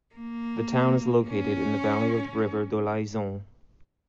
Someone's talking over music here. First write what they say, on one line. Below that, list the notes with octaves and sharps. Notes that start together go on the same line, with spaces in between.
The town is located in the valley of the river Dolaizon.
A#3
C#4